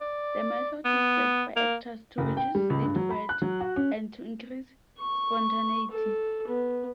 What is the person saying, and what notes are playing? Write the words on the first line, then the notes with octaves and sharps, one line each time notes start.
The method is said by actors to reduce stage fright and to increase spontaneity.
D5
B3
A#3
F#1
G5
G3
C#2
G2
F#3
B5
F#6
F#3
F#4
C#4
C#6
A4
B3